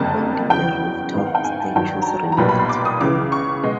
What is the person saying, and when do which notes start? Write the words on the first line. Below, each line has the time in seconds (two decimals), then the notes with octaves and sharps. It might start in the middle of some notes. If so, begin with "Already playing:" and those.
Only the rooftop statues remain today.
Already playing: F#1 F2 D3 G3 A#3 A5
0.35 A5
0.50 E2 C#3 F#3 G5
1.13 G#1 G#2 D#3 G#3 B3 F5
1.27 F#5
1.35 G5
1.44 G#5
1.60 A5
1.75 G2 D#3 F#3 G5
2.02 A#5
2.06 A5
2.32 A#5
2.37 B1 A#2 G3 B3 B5
2.49 B5
2.59 C6
2.69 D6
2.85 D#6
3.00 C#2 C#3 E3 D6
3.32 C#6
3.63 B2 G#3